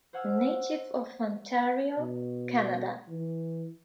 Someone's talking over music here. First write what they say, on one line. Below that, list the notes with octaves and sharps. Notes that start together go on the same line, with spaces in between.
Native of Ontario, Canada.
C5 C#5 F#5 G#5 E6 F6
B2
E3